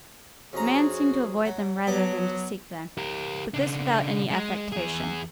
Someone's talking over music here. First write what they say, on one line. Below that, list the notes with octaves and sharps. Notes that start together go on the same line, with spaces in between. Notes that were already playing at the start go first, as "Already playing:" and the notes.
The man seemed to avoid them rather than to seek them, but this without any affectation.
F2 C#4 F#4 G#4 A#5
F#3
F#3 B3 A5 D6
G4 A#4
C#3 D4
G#3
E2 G#4